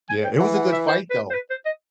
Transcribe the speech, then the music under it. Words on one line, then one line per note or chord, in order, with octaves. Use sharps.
Yeah, it was a good fight, though,
G#5
G5
E3 F#5
F#5
E5
C5
B4
C5
B4
C5
D#5